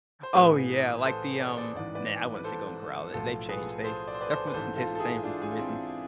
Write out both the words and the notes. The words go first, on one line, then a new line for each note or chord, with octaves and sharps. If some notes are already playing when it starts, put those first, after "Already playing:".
Oh yeah, like the, um, nah, I wouldn't say Golden Corral, they they've changed, they their food doesn't taste the same for some reason.
C5
A1 A2 E3 G#4 B4
A4 C5
D5
D5
A1 G#2 E3 D5
B4 D5
B4
A4 C5
B1 A2 F3 F4 A4
G#4 B4
A4 C5
D5
C5
B4 D5
A4 C5
B4
A1 G#2 E3 A4 C5
F4 A4
A4
E4 G#4
D4 F4
G#4
F4
C4 E4